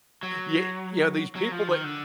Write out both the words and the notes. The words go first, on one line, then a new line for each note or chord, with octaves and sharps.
Ye yeah, these people that
F#3
F#3
F3
D#3
D3